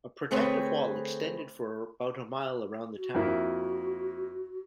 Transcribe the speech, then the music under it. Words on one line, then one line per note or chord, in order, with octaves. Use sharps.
A protective wall extended for about a mile around the town.
D3 A3 C4 G#4 B4 C#5
F#4
F2 A#3 E4